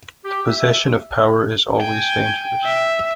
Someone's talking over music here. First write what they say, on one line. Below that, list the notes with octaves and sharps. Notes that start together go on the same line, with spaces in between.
The possession of power is always dangerous.
G4
E5
G5 G#5
E5